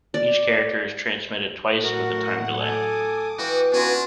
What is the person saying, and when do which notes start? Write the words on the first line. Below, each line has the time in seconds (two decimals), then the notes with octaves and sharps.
Each character is transmitted twice with a time delay.
0.14 D5
1.83 A2 F#3 F#4 A#4 F#5
2.59 A4 G#5 D6 D#6
3.38 E3 F#4 F5 G5 B5
3.73 B3 C#4 D4 F4 F#4 G#5